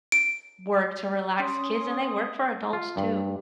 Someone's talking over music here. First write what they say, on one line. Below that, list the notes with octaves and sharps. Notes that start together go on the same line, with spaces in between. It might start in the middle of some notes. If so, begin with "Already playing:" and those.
work to relax kids, and they work for adults too.
D7
C#4 C6 D#6
F4
G2